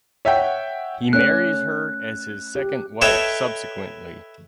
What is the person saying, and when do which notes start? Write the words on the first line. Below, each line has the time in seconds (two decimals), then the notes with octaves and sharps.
He marries her as his second wife subsequently.
0.25 C#5 E5 F#5 G5
1.13 A3 C#4 D5 F#6
2.55 G4
3.01 A4 B4 C#5 D#5 E5 G5